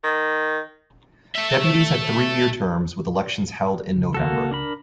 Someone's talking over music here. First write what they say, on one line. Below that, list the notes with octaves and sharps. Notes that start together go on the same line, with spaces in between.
Deputies had three year terms, with elections held in November.
D#3
A3 E5
C#2 C#3
A#3 F#4 A4
D4 A#4 B5